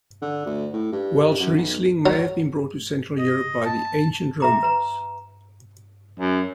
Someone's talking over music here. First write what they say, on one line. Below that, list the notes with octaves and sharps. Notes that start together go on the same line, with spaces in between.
Welschriesling may have been brought to Central Europe by the ancient Romans.
D3
D2
A2
G2
F#2
B1
F#3
D#5
A5
E5 A#5 D6
B4 A#5
F#2